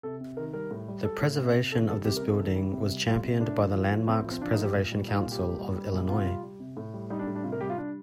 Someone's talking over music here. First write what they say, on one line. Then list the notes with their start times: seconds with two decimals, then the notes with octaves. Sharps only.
The preservation of this building was championed by the Landmarks Preservation Council of Illinois.
0.03 C3 A4
0.21 C3
0.37 D#3 A#4
0.53 G3 A#4
0.71 A2
0.88 G3
1.04 G3 A4
1.21 A2
1.39 C3
1.56 C3
1.72 D#3 A4
1.88 G3 A4
2.05 C3 G4
2.16 A#4
2.22 C3
2.28 A4
2.39 D#3
2.56 G3
2.73 C3
2.90 G3
3.06 G3 F4
3.24 C3
3.40 A2 D4
3.57 F3
3.74 F3
3.91 A2
4.07 A2 C4
4.25 F3
4.31 C4
4.41 F3 D4
4.53 D#4
4.58 A2
4.64 G4
4.75 A#2
4.92 G3
5.08 G3 D#4
5.20 F4
5.26 A#2
5.31 G4
5.42 A#2
5.59 G3
5.76 G3
5.93 A#2
6.09 C3 F4
6.26 G3
6.43 G3
6.60 C3
6.77 A2
6.94 G3
7.10 G3 D#4
7.19 D4
7.27 A2
7.35 D4
7.44 C3 F4
7.52 A#4
7.61 G3 G4
7.70 F4
7.77 G3 D4